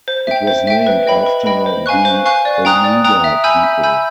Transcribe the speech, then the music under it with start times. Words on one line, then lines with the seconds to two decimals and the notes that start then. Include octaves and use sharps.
It was named after the Oneida people.
0.08 C5
0.27 E5 G5
0.47 C5
0.67 E5 G5
0.87 B4
1.07 D#5 G5 B5
1.27 B4
1.46 D#5 G5 B5
1.66 C5
1.86 F5 G#5 C#6 F#6
2.05 C5
2.25 F5 G#5 C#6 F#6
2.45 D5
2.65 G5 A#5 D#6 F#6
2.84 D5
3.04 G5 A#5 D#6 F#6
3.24 E5
3.44 G#5 B5 E6 G6
3.64 E5
3.83 G#5 B5 E6 G6